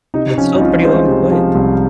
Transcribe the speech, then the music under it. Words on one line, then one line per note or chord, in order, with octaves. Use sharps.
That's still a pretty long flight.
C3 D#4
F3 C#4
D#4
C2 F4
G#3 C5
C3
F3
C2